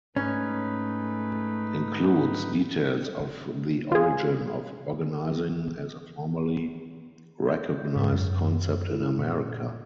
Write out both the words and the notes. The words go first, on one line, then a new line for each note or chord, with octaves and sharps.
Includes details of the origin of Organizing as a formally recognized concept in America.
G#2 A3 C#4 D#4 B4
F4 G#4
G6
G#2
F#2
E4
A#2